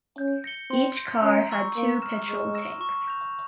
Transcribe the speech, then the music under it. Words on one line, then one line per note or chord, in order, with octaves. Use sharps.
Each car had two petrol tanks.
C#4 G6
A#6 C#7 G7
C4 C6
G6 A#6
C#4 A#5
C#6 E6 A#6
A#3 C#6
F6 A#6 E7
G#3 C#6
E6 A#6 E7
C#6
G6 A#6 F7